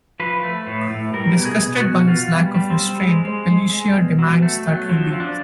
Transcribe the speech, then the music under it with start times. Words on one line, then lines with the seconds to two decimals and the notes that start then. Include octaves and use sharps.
Disgusted by his lack of restraint, Alicia demands that he leave.
0.20 F3 B4
0.43 A3
0.67 A2
0.90 A2
1.14 G3 A#4
1.37 B2
1.45 G#4
1.60 B2
1.76 F#4
1.84 B2
2.07 B2 F4
2.31 G3
2.54 G3
2.70 C4
2.78 G3
3.01 G#3
3.25 G#3
3.48 G#3
3.72 G#3
3.95 B2
4.19 F#3
4.42 A3
4.66 F#3
4.89 F3 C4
5.13 F3
5.20 D4